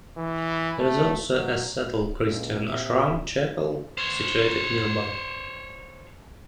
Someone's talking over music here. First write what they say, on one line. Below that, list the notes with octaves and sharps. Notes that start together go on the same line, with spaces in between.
There is also a Sattal Christian Ashram chapel situated nearby.
E3
A3
F#3
C#2 A#2
C3 E5
C5 C#5